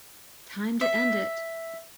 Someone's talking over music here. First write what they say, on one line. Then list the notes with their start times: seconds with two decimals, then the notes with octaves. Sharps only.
Time to end it!
0.81 E5